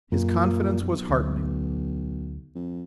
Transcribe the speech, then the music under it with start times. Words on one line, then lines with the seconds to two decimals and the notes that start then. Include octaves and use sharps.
His confidence was heartening.
0.12 F#2 A#2
0.81 B1
1.09 D2
2.55 F2